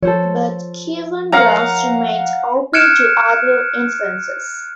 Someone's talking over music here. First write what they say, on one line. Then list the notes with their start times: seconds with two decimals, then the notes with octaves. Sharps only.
But Kyivan Rus remained open to other influences.
0.03 F3 A4 C5 C#5
1.32 A#4 C#5 F5 F#5 A#5
2.73 F6 F#6 G#6 C#7 D7 E7